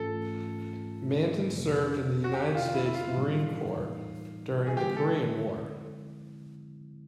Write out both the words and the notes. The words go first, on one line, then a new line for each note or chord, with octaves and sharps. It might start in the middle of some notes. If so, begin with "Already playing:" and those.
Manton served in the United States Marine Corps during the Korean War.
Already playing: G#2 E3 A3 C#4 F4 A4
F2 C3 F3 A#3
F#4
G4
F4
E4
E4
F4
A2 E3 G3 B3 D#4
G#4
D3 F3 G#3 C4 E4 G4
A4